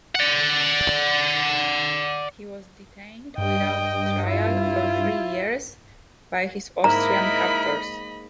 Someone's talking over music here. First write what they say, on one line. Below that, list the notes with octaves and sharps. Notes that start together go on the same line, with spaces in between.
He was detained without trial for three years by his Austrian captors.
D5 F#5
G2 D#5 G5
E4 F4
G#2 A#3 D#4 E4 A#4 D#5 A#5 B5